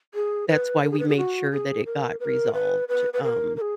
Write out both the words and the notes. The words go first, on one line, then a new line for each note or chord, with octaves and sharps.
that's why we made sure that it got resolved. Um,
G#4
B4
A#4
G#4
B4
G#4
F#4
G#4
A#4
B4
A#4
B4
B4
B4
A#4
A#4
G#4